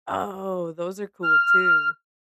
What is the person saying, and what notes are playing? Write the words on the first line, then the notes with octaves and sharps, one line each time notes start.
Oh, those are cool too.
F6